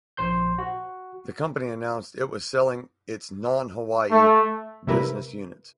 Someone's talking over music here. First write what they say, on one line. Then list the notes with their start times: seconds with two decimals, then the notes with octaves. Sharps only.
The company announced it was selling its non-Hawaii business units.
0.17 A#1 C5 C6 G6
0.58 F#4
4.11 A3
4.87 C3 G3 E4 A#4 B4